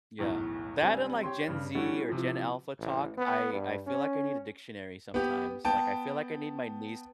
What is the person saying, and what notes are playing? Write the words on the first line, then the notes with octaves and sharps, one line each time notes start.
Yeah, that unlike Gen Z or Gen Alpha talk, I I feel like I need a dictionary sometimes. Like, I feel like I need my niece
B1 E2 A2
C#2 G3 C4 D4 G#5
G4 C#5 C6
G2 C#3
E3 G3 A3 C#4 F#4
C3 E3 F3
A1
B3
G2
C#4
B3 G4
B3 G5 A5